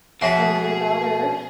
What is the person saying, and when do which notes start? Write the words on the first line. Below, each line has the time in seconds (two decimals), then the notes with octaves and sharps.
I have a daughter
0.21 B2 F3 F#4 G#4 E5 F#5 B5